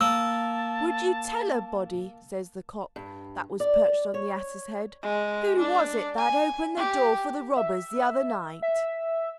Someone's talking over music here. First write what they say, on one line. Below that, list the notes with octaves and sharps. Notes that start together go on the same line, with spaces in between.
"Would you tell a body," says the cock that was perched on the ass's head, "who was it that opened the door for the robbers the other night?"
A#3 A5 E6
G2
D5
C#5
G#3
D4
G#5
G4
E5
E5